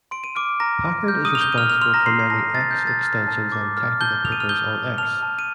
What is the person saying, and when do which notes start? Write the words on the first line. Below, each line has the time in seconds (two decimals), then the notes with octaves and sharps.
Packard is responsible for many X extensions and technical papers on X.
0.11 C6 D7
0.24 D#7
0.35 D6 F6 D7
0.60 A#5 F6 A#6
0.85 C6
1.08 F6 G6
1.25 D#6 D#7
1.33 F6 F7
1.41 G6 G7
1.52 D#7
1.58 F6 F7
1.69 F6 F7
1.81 C6 F6 F7
1.94 A#5 A#6
2.06 C6 F6 C7
2.19 C7
2.30 A5 A#5 A#6
2.55 A5 A6
2.71 G6
2.79 A5
2.87 A6
3.03 F6
3.27 A5
3.52 D6
3.77 F6
4.01 A5 G6 G7
4.25 D#6 F7
4.32 D#7
4.40 F6 F7
4.49 D#6 G6 G7
4.74 G6
4.98 A5 F6 F7
5.22 A5
5.39 D#7